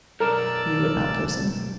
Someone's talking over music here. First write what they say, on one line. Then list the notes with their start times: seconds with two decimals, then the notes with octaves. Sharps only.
He would not listen.
0.20 B1 F#2 A#4 D5 A5 E6